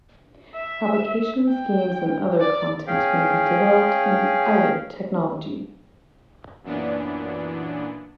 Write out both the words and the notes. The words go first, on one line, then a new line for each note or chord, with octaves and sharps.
Applications, games and other content may be developed in either technology.
E5
G5
D5
C#4 G#4 F5 G5
F#2 A#2 E3 B3 D4